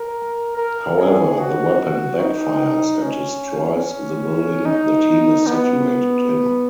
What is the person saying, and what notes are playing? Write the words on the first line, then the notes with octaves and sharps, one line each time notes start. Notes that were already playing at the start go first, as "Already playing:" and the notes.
However, the weapon backfires and destroys the building the team is situated in.
Already playing: A#4
A#4
G#4
F#4
D#4
C#4
D#4
B3